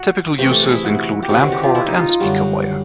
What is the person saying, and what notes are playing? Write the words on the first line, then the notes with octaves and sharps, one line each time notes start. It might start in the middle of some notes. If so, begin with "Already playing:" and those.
Typical uses include lamp cord and speaker wire.
Already playing: F#4
C3 E3 A3 G4
A4
G#4
E4
F#4
G4
C#2 C3 D#3 F#4
F#4
G4
F4
E4
D#4
F4
F4
F#2 D3 G3 F#4